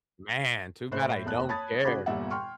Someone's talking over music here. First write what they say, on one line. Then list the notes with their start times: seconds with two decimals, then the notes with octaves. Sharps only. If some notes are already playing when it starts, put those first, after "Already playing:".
Man, too bad I don't care.
0.92 A2 C5 F#6
1.25 F#1 E2 A5 F#6
1.49 C#5 A5 B5 D#6 G#6 A6
1.84 C#3 F#4 G#4 B5 D6
2.06 G1 E2 A#2 G3 E5 F#5
2.30 G5 C6 C#6 F6